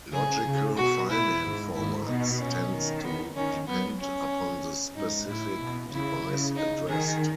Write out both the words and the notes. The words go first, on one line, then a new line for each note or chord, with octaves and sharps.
Logical filename formats tends to depend upon the specific device addressed.
C#3 G#4
C#3
B2 F#4
E4
G#2
G#2 E4
B2 D#4
C#4
D#3
B3
D#3 C#4
F#3 B3
C#4
G#2 D#4
A2 E4
B2
C#3 E4
C#3
D#4
D#3 G#4